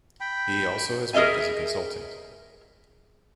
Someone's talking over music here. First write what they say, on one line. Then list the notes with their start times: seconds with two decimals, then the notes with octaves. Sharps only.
He also has worked as a consultant.
0.20 G5 B5
1.13 G#4 A#4 D#5 E5 G#5